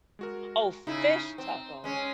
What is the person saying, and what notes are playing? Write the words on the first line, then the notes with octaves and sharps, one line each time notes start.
Oh, fish taco.
G#3 F#4 A#4
C#3 D#4 E4
C4
G#3 C#4